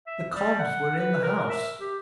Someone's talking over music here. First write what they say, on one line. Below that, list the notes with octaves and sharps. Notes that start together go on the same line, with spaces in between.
The cobs were in the house!
E5
G3
F#5
B4
A#4
E5
G4